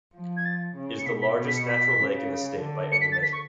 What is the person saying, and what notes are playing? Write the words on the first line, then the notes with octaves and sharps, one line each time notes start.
It is the largest natural lake in the state by any measure.
F3
G#6
A6
C#3
C#7
B2 B6
B6
B2
B6
C#7
B6
C#3
D3
C#7
B6
A6
B6
C#6